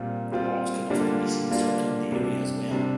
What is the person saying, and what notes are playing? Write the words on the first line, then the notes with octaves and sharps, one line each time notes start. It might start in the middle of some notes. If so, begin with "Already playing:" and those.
Hawks can often be seen circling the area as well.
Already playing: A#2 G3 C4 F4
A#2 G3 C4 F4
D3 G3 A#3 D4 F4
D3 G3 A#3 D4 F4
C3 G3 D4
C3 G3 D4